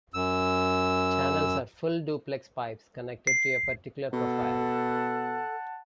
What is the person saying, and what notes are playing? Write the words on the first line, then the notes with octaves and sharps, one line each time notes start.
Channels are full-duplex pipes connected to a particular profile.
F#2 E6
C7
B2 A4 F#5 A5